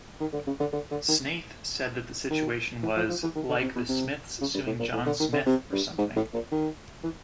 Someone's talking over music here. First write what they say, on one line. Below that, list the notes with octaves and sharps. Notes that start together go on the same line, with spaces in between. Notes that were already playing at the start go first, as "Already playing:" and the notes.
Snaith said that the situation was "like The Smiths suing John Smith or something".
D#3
D3
C#3
D3
D3
D3
D#3
D#3
E3
F3
F3
E3
D#3
D3
C3
B2
C3
C#3
G2
A2
A#2
A2
D3
D#3
D3
C3
G2
G#2
A2
A#2
D#3
E3